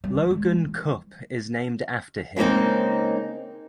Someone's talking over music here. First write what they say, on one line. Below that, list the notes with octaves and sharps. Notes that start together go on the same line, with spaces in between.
Logan Cup is named after him.
G3
G#3
E3
C#3 G#3 A#3 C4 D#4